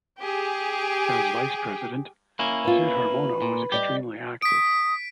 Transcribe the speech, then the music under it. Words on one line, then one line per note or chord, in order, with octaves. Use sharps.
As Vice President, Sudharmono was extremely active.
G4 G#4
A#3 C#4 E4
B3 F4 B4
A#2
G3 G4 D5 D#5
D#6 B6 D7